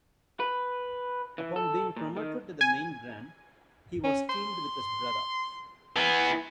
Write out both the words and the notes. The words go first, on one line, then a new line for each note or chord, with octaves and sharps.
Upon being promoted to the main brand, he was teamed with his brother.
B4
E3
A4
A#2
D#3
G#5
C#4
C6
E3 B3